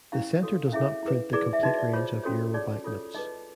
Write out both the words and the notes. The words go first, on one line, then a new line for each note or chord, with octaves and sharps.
The centre does not print the complete range of euro banknotes.
C#4 E4 G4 C5 F5
F#4 A4 C#5
F5
C#4 E4 G#4 C#5 E5
E4 G#4 B4
E4 G#4 B4 D5
E5
D#4 F#4 B4 D#5
D5
F4 G#4 C5 C#5
C#4 F#4 A4 C#5
D#4 G#4 C#5 D5
F4 A4 C#5
D#4 G#4 B4 D#5